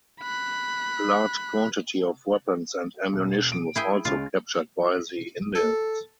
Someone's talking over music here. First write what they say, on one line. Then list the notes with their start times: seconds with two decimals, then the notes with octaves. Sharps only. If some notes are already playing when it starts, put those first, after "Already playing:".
A large quantity of weapons and ammunition was also captured by the Indians.
0.21 B5 F#6
3.13 E1
3.52 D7
3.76 E4 G#4 G5
4.05 C#2 G#3 C#4 F4
5.55 A4